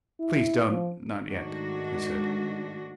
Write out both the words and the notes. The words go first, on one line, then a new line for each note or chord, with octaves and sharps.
"Please don't--not yet," he said.
E4
F3
G#2 D#3 G#3 A3 D4 F#4